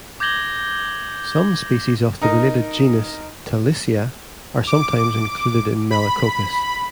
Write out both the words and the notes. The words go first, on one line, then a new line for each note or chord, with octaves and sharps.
Some species of the related genus "Talisia" are sometimes included in "Melicoccus".
D6 G6 G#6 A#6 F#7 G7
D#4 A#4 D#5
D6
B5